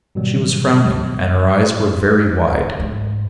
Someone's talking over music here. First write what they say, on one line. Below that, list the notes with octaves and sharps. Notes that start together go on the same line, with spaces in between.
She was frowning, and her eyes were very wide.
G#2 B2 D#3 F#3 G3
G#2